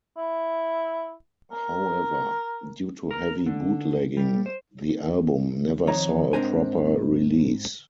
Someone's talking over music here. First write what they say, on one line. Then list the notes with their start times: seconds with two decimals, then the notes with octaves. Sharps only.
However, due to heavy bootlegging, the album never saw a proper release.
0.17 E4
1.52 A#4
3.11 A#4
3.46 D3
4.17 G3
4.46 C5
5.88 F2 D#3 D#4 C#5 A#5
6.33 G#2 C4 D4 A#4 C5 G#5